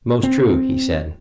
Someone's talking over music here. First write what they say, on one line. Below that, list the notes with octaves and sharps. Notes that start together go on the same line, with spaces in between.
Most true, he said.
C4